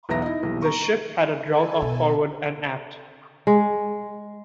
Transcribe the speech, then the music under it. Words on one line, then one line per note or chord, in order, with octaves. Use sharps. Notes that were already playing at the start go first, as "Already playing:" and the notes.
The ship had a draught of forward and aft.
B1 E2 B3 E5 A#5 A#6
D#4 E4
D#1 B1 E3
A#5 C#6
A4 G#5
B2
G#3